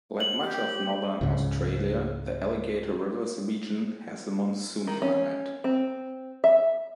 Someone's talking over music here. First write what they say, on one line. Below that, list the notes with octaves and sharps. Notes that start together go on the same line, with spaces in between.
Like much of northern Australia, the Alligator Rivers region has a monsoon climate.
F#7
G4
C#2 G#2 C#3
D#3
C#4
C4
E5